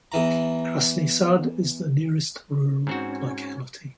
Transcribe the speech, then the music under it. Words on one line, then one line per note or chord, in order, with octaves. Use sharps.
Krasny Sad is the nearest rural locality.
E2 E3 A#5
G#2 C4 C#4 F#4